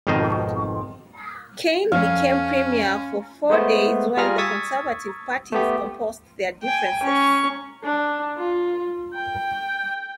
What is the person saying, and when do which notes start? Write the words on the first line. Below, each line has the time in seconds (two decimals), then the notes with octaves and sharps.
Cain became Premier for four days while the conservative parties composed their differences.
0.07 G#1 F2 B2 D#3 C5 D#5
1.92 F2 C#4 F5
3.50 G#3 A3 B3 C5
4.17 G3 F4 G#4 A#5 F6 A#6
4.38 C#6 D#6 E6 G#6 A6 B6
5.52 A3 B3 G4
6.63 G5 G#5
7.04 C#4 C#6
7.83 D4
8.37 F4
9.14 G5